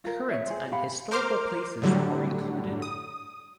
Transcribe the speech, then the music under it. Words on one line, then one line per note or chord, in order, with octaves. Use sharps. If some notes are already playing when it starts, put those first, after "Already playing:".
Current and historical places are included.
F4 A#4
C#5 E5
G#4 C5
G4 F5 F#5 B5
A#4 C5 C6 D6 F6
A2 D3 F#3 G3
D#6